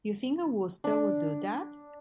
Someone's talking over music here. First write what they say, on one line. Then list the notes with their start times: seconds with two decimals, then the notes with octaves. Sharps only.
You think a Wooster would do that?
0.84 D4